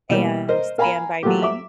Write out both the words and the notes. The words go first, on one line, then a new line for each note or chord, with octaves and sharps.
and Stand By Me.
B2 E3 G3 A#3
A#4 C5 D#5
A#4 F5 G#5 A#5 B5
F#3 A3 A#3 F4 G4
E5 D6